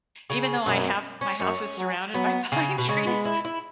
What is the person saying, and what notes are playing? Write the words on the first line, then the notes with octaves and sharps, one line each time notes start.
even though I have my house is surrounded by pine trees,
C#3
F#2 B2
C#4
F#2 C#4
F#3
F#3 B3
C#3
B2
C#3 G#3
B3
E4
E4